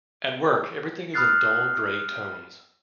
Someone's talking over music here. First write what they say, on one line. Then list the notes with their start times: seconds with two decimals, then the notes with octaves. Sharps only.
At work everything is in dull gray tones.
1.14 B5 D#6 F6 F#6 A6 C7